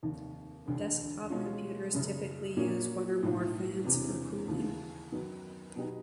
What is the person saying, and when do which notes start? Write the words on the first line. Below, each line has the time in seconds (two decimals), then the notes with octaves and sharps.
Desktop computers typically use one or more fans for cooling.
0.03 F1 D#2 D#3
0.66 E1 D2 D3
1.30 B2 G#3 C#4 F4
1.94 F#1 F#2 C#3
2.57 A#1 A#2 F#3 A#3 C#4
3.21 B1 A2 F3
3.85 E1 E2 C3 E3
4.48 D#2 C#3 E3
5.12 F#2 D#3 F#3 B3
5.76 B2 F#3 B3 D#4 G4